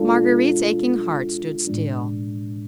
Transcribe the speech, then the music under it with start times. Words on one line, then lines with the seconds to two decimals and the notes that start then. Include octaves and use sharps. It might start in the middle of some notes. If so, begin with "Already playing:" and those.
Marguerite's aching heart stood still.
Already playing: G#3 D4 F4 A4
1.67 A2 G#3 D4